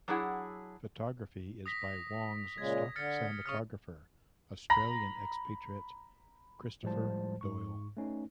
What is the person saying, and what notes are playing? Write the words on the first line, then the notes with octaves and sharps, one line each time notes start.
Photography is by Wong's stock cinematographer, Australian expatriate Christopher Doyle.
F#3 D4 E4 G#4 F#5
D#6 A#6 B6
A#2 C#3 G#3 G#6
D3 F6 A6 C#7
C#3 C#6 D#6 F6
A#5 B5 A#6
A2 F3 G3 G#3 C5 A5
G#2 C#6
A3 C#4 D#4